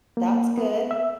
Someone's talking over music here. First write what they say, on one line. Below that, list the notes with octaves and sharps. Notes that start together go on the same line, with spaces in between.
That's good.
A#3
B3
E5